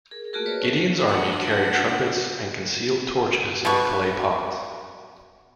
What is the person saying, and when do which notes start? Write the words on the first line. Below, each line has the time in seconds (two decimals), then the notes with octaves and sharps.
Gideon's army carried trumpets and concealed torches in clay pots.
0.11 G#4 A#4
0.33 A3 A#3 F4 F#4 G#4 A#4
0.46 G#4 B4 C#5 D5 E5
0.62 A3 C#4 A#4
1.07 D4 F#5
3.65 B2 B3 B4 C#6